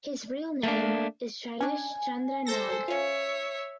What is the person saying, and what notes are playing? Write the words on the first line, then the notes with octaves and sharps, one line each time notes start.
His real name is Shailesh Chandra Nag.
A3 A#3 D4
C#4 D4 G#5
A4 C5 G6 A6 A#6
C#4 F4 C#5 E5